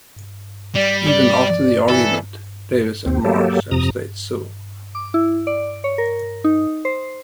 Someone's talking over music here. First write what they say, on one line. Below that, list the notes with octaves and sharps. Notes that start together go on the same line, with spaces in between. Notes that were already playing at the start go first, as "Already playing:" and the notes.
Even after the argument Davis and Marz have stayed civil.
G3 D5
D5
E3 A4
D#2 C4
F#3 A#3 G4 A4
F2 C3 A#5 D#6
D6
E4
D5
C#5
A#4
D#4
C5